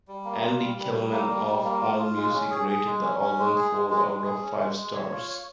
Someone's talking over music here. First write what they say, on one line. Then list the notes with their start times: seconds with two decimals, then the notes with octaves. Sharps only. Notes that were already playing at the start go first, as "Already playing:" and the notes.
Andy Kellman of Allmusic rated the album four out of five stars.
0.08 G3
0.25 A#3
0.42 F4
0.60 G3
0.77 G3
0.94 G3
1.12 A#3
1.29 G3
1.47 G3
1.64 A#3
1.81 F4
1.99 F4
2.16 G#3
2.33 C#4
2.50 G#4
2.68 G#4
2.86 G#3
3.03 C#4
3.20 C#4
3.38 G#3
3.55 G#4
3.72 G#3
3.90 G#3
4.07 G#3
4.24 G#4
4.42 C#4
4.59 G#3
4.77 G#3
4.94 C#5
5.11 F4
5.29 C#5